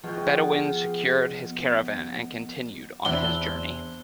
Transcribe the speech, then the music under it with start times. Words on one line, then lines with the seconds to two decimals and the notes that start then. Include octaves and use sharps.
The Bedouin secured his caravan and continued on his journey.
0.04 B2 F3 G#4 G5
1.49 B3
3.05 E2 C4 D4 E4 G7